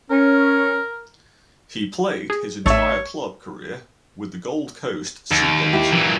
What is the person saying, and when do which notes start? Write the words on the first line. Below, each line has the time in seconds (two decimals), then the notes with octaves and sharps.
He played his entire club career with the Gold Coast Seagulls.
0.10 C#4 A#4
2.30 G#4
2.66 A1 A3 C#5 E5 C#6
5.31 D#2
5.73 E4 G4
5.92 A#2 E3